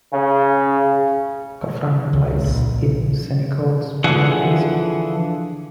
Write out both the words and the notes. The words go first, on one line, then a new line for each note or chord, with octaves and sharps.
Kaffrine lies in Senegal's Peanut Basin.
C#3
C#2
A#1
D3 E3 F3 G#4 F#5